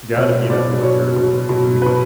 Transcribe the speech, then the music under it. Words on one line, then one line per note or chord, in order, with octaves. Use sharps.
gotta be that boy Kirby, for me.
B2 F#3 C#5
B2 F#3 D5
B2 F#3 C#5
B2 F#3
B2 F#3
B2 F#3 B4